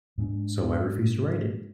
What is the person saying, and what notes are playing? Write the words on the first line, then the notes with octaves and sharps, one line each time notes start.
So I refused to write it.
G#2 G#3 C4 D4